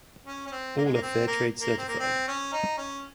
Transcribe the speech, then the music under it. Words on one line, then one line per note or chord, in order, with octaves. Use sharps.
All are Fairtrade Certified.
C#4
C#4
C4
A#3
G#3
A#3
C4
A#3
A#3
C4
A#3
C4
C#4
D#4
C#4